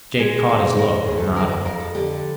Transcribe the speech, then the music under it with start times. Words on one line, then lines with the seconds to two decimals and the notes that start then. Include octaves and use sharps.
Jake caught his look and nodded.
0.19 G#3 G#4
0.49 D2 A4
0.78 C3 A#4
1.07 D2 G#4
1.17 A4
1.36 F3 A#4
1.51 A#4
1.65 F2 A#4
1.80 A4
1.95 D3 G4